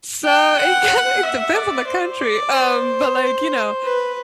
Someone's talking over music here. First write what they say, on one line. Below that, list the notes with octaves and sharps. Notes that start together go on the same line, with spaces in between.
So, it kinda it depends on the country. Um, but like, you know,
G5
F#5
E5
D5
C5
D5
C5
B4